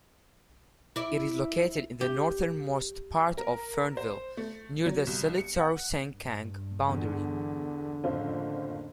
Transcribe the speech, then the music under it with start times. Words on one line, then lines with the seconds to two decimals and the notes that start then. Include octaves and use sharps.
It is located in the northernmost part of Fernvale, near the Seletar-Sengkang boundary.
0.96 E4 D5
2.01 G4
3.38 A#4
3.97 C5
4.37 A3
4.86 F#3
5.07 C2
5.38 C#7
5.58 F#5
6.11 G2
6.88 E2 D3
8.04 F#1 F2 A2 D#3 C4 F4